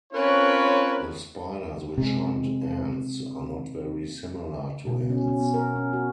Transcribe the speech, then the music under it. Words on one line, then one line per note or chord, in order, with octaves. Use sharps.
The spiders which hunt ants are not very similar to ants.
C4 C#4 F4 A#4 B4 C#5
C3 G#3
B2
C#4
C#4
B3
A#4
C#4
F#4